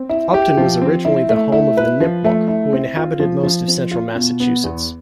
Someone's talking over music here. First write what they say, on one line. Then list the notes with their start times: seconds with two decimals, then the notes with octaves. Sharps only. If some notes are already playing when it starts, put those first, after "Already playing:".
Upton was originally the home of the Nipmuc, who inhabited most of central Massachusetts.
Already playing: C4
0.09 E4
0.34 G4
0.57 F3
0.82 C4
1.05 E4
1.29 A3
1.52 E4
1.77 B4
2.00 F3
2.24 A3
2.48 E4
2.73 C4
2.97 F4
3.20 F3
3.43 F3
3.68 C4
3.91 F4
4.15 B2
4.40 B3
4.64 E2